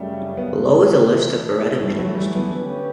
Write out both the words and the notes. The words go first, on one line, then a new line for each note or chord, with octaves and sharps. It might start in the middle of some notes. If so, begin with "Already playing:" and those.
Below is the list of Beretta Mini Pistols.
Already playing: F#2 C#3 G3 A3
B3
E3 A3 E4
G3
F#3
G3
B3
D3 A3 C#4 G4 B4